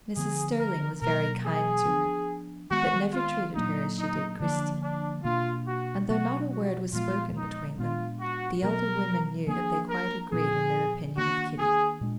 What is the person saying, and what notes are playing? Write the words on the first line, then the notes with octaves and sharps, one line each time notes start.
Mrs. Sterling was very kind to her, but never treated her as she did Christie; and though not a word was spoken between them the elder women knew that they quite agreed in their opinion of Kitty.
D3 F3 B3 G#4
A#4
B2 F#3 A#3 A#4
G#4
F3 B3 D4
D#3 G#3 B3 F#4
F4
A#2 F#3 A#3 D4 D#4
D#4
D3 F3 A#3 D4
D4
B2 A#3 D4 F4
F#4
B2 F#3 B3 F#4
F#4
A#2 F3 G#3 B3 F4
D#4
A#2 G#3 B3 D4 F4
F#4
B2 F#3 B3 A#4
F3 A#3 D4 G#4
A#4
A#2 F3 B3 G#4
D#3 A#3 D4 F#4
G#4
A#2 G#3 D4